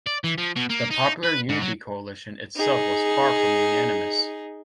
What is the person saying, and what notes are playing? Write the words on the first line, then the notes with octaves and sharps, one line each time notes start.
The Popular Unity coalition itself was far from unanimous.
D5
E3
F3
B2
A#3
D#4
B4
G#2
F#3
D#4 G#4